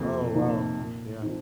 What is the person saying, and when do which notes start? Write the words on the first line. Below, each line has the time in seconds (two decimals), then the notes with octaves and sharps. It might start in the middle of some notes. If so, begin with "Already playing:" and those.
Oh, wow, yeah.
Already playing: F2 C3 F3 A#3
0.34 C3 F3 A#3 D#4
0.78 A#2
1.22 F3 G#3 C4 D#4